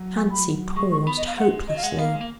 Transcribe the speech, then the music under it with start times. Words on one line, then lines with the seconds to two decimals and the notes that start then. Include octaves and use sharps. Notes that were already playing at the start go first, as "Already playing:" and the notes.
Fancy paused hopelessly.
Already playing: F#3
0.16 G#5
0.31 B5
0.76 G#3 C#6
0.92 C#6
1.07 B3 B5
1.17 D#5
1.27 F5
1.37 G#3 F#5
1.67 F#3 D#5
1.77 F5
1.83 G#3 F#5
1.98 B3 F5
2.05 A#3
2.13 G#3
2.21 A#3